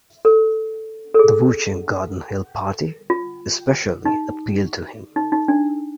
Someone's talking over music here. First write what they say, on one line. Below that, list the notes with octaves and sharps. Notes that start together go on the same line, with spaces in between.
The Wuchang Garden Hill Party especially appealed to him.
A4
A4
G#4
F4
D#4
D#4
D#4
D4